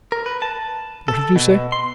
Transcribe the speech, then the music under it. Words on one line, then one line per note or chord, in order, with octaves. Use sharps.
"What did you say?"
A#4
B4
A5
A4
B2
C6